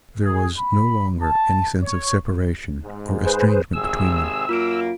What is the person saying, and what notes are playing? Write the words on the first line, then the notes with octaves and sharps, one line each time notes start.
There was no longer any sense of separation or estrangement between them.
G#4
B5
A5
C#5
G#2
G#4 B4 C5
G#1 C3 G#4 E6
F#2 A#3 F4 D7